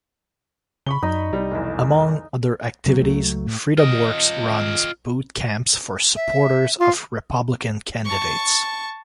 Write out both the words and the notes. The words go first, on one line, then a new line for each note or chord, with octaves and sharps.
Among other activities, FreedomWorks runs boot camps for supporters of Republican candidates.
C#3 B5 C#6 G7
F#2 D#4
C2 G3
F1 B1 E2
C#3 F#3 B3
C#2 F#3 A3
A2
F4 D#5
E5
F4 F5
A5 C#6